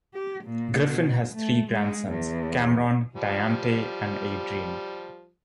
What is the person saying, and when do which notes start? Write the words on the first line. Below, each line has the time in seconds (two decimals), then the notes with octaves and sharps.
Griffin has three grandsons, Kamron, Diante, and Adrien.
0.14 G4
0.44 A#2
0.85 B2
1.34 A3
1.71 G#3
2.10 E2
3.16 F3 G3